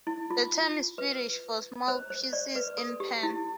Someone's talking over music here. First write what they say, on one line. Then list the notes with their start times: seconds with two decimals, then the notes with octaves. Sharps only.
The term is Swedish for "small pieces in pan".
0.07 E4
0.30 F4
0.98 B4
1.88 C5
2.10 C5
2.33 D5
2.55 B4
2.78 A4
3.00 G4
3.23 E4